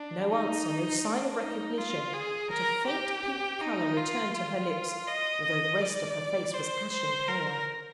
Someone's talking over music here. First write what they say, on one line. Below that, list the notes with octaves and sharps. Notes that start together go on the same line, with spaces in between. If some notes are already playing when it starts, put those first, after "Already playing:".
No answer; no sign of recognition; but a faint pink colour returned to her lips, although the rest of her face was ashen pale.
Already playing: D4
D#4
D4
D#4
F4
G#4
A#4
G4
D#4
F4
F4
D#5
D#5
D5
C5
C5
A#4